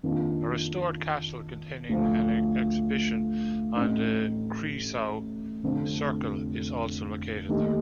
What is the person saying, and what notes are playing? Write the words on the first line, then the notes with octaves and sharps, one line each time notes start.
A restored castle containing an exhibition on the Kreisau Circle is also located there.
F2 D#3 A#3 D4 F4
D2 D3 F3 A3
A1 A2 A3 C4 D#4
F1 F2 D3
D#2 D#3 A3 D#4 G4